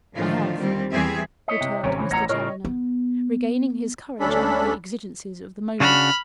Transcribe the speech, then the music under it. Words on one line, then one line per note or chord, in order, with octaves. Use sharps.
"I have," returned Mr. Challoner, regaining his courage under the exigencies of the moment.
A2 D3 D#3 F3 A3 F4
D#2 G3 C4
E2 E3 G3 C4 G#4 E5
E4 C#5 D#5
C3
G#1 C3 G3 C#4 A#4 C5
C#3 E3
A1 E2 C#5 F#5 A#5 A#6
A2 C#3 F4 A#4 C#5 D#5
B3
D2 C#4 D4 A4 B5
C#3 D4 F#4 B5 F6